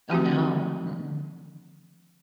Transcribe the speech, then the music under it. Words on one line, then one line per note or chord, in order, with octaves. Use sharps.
Oh, no, mm-mm.
F3 A3 C4 F#4 G4